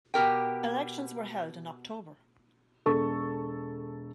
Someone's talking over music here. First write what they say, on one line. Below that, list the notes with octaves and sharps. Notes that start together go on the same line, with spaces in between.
Elections were held in October.
B2 G4 A#4 G5
E1 A4 C#6